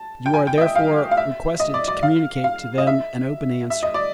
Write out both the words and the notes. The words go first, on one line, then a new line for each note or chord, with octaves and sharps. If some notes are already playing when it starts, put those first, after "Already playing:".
You are therefore requested to communicate to them an open answer.
Already playing: A5
G5
G#5
G5
D#5
E5
F5
F5
E5
D#5
D5
D5
F5
F5
D#5
E5
E5
D#5
D5